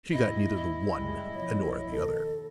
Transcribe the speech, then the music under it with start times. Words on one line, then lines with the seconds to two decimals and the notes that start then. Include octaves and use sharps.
She got neither the one nor the other.
0.12 A1 D#2 G#2 E4 D#5
0.56 G#2 D#5
0.96 F#1 G3 G#3
1.35 F#2 B2 F3 C#5
1.92 D#2 A4